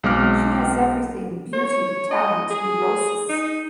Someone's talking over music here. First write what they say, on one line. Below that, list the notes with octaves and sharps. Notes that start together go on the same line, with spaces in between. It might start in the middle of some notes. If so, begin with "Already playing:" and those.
She has everything-beauty, talent, neurosis.
B1 G#3 C4 D6 F6
C#5
D#5
G#4
D#4